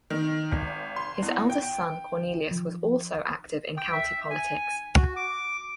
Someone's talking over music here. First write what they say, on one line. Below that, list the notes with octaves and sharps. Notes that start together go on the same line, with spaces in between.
His eldest son Cornelius was also active in county politics.
D#3
G#1
C6
E2
G5
F3
G5
E5
G#5
F#4
D6